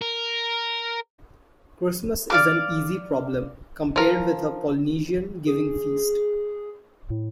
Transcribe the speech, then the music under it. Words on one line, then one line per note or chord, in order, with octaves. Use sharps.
Christmas is an easy problem compared with a Polynesian giving-feast.
A#4
D5 F5 D6
F3 A#4
G#4
A2